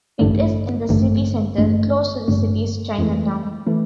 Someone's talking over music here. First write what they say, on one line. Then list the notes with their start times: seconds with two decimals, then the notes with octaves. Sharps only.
It is in the city centre, close to the city's Chinatown.
0.19 A1 G2 D3 A3
0.89 A1 G2 D3 A3
1.58 A1 G2 D3 A3
2.28 A1 G2 D3 A3
2.98 F2 E3 A3
3.67 E3 A3